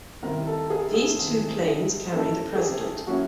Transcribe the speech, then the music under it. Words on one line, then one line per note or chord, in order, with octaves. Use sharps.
These two planes carry the President.
D#3 G3 C4 E4 A#4
A4
G#4
G#4
D#3 G3 C4 E4
F#3 A#3 C#4 E4 A4
G#4
G4
F#3 A#3 C#4 E4 F#4